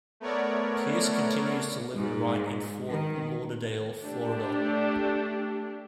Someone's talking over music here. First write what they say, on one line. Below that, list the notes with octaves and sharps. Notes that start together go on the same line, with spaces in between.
Pearce continues to live and write in Fort Lauderdale, Florida.
A3 B3 A#4 C#5 D5
G#2
D#3
A3 D4 G4